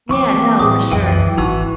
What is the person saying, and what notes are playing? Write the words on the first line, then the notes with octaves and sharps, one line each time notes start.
Yeah, no, for sure.
E3 F3 C4 C#6 D6
A2 G3 G#4 D#6
C2 F#2 E3 G5
D3 D#3
G#1 E3 D#4 F#4 E6